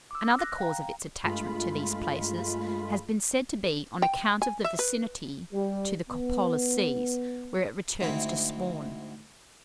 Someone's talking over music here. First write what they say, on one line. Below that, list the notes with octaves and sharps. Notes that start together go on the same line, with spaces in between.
Another cause of its attachment to these places has been said to be on account of the vicinity to the Polar seas, where it returns to spawn.
D6 E6
F#6 A#6
F5 G5 A#5
G2 G#3 A3 F4 B5
G5
G#5
E5
B4
G3
B3
D2 G#2 C4 E4